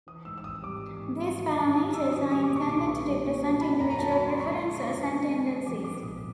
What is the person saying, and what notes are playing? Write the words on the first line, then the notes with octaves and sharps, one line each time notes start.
These parameters are intended to represent individual preferences and tendencies.
E3 D#6
G#2 E6
E6
G#1 D#6
G3 D6
E3
G#2
F#3
D#3
G2
A#3 D#6
F#3 E6
D#3 D#6
G3 D#6
D6
A#2
C#6
B1 D6
B3
G3
A#2
F#3
D3 B5
F#2 A#5
A#5
F#2 A5
B5
F#3
C6
D3 C#6
G#3
B2
E2
C4
G#3
B2
F3 D6
G#2 D6
A#1 D#6